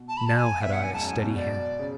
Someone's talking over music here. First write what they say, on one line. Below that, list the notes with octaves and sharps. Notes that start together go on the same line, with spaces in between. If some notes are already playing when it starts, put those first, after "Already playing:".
"Now had I a steady hand!"
Already playing: B2
A5
B5
A5
G#5
B2 E5
F#5
F#2 G#5
G#2 A5
F#2
G#2 G#5
B2
D5
C#3